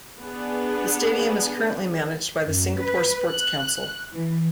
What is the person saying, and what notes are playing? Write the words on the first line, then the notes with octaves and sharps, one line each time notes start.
The stadium is currently managed by the Singapore Sports Council.
B3 D4 G#4
F#2
B4
F#6
E3